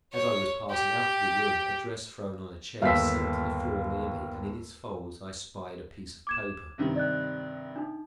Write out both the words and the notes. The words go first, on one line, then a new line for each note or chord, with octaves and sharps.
As I was passing out of the room, a dress thrown on a chair slipped to the floor near me, and in its folds I spied a piece of paper.
C#5
G4
G1 D#2 F5 E6 B6
D6 G#6 E7
G2 C3 D#3
D5 D#5 F#6
D4 D#4